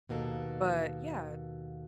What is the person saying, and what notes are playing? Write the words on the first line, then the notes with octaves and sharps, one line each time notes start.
but, yeah,
D#2 B2 A#3 A4